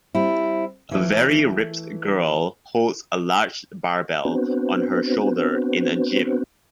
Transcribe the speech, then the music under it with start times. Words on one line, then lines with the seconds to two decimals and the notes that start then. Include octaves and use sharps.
A very ripped girl holds a large barbell on her shoulder in a gym.
0.15 G3 C4 E4
0.91 E3 A3
4.25 B3 C4 D4 F#4 B4 C5